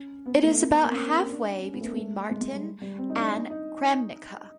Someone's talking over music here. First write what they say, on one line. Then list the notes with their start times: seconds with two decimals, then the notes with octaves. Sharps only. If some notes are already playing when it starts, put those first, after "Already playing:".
It is about halfway between Martin and Kremnica.
Already playing: C#4
0.26 B3
0.44 A3
0.60 A#3
0.72 B3
0.83 A#3
0.89 C4
0.94 C#4
1.29 D4
1.62 C#4
1.73 B3
1.81 A3
1.85 A#3
1.96 A3
2.31 G#3
2.41 G#3
2.53 G3
2.82 G3
2.98 C4
3.10 D#4
3.15 D4
3.33 D#4
3.50 D#4